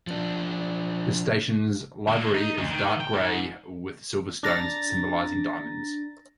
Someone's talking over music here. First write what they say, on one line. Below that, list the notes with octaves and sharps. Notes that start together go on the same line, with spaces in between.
This station's livery is dark grey with silver stones symbolising diamonds.
F3 D4
D3 A#3
D#4
D2
D#3
G5
G#2
D4 A#5 A6 A#6